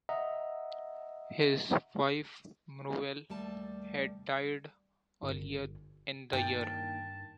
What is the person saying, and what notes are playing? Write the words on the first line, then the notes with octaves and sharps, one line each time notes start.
His wife, Muriel, had died earlier in the year.
D#5 E5 F#5 A#5
D#2 G3 A3 A5
G1
G2 D#3 A#3 D4 G5 A5